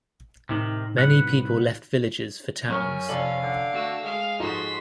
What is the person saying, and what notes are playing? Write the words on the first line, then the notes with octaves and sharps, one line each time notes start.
Many people left villages for towns.
A2 C3 D#3 D#4
C2 B4 F#5
F#2 C#4 C#6 F6
F1 A4 D5 F5 F#7
D3
A3 F#4 E6
G#3 F5
G#2 F3 D#4 F#4 A4 C6 B6